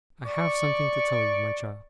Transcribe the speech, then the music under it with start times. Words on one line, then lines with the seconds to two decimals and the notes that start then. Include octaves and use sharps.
I have something to tell you, my child.'
0.25 D5 C#6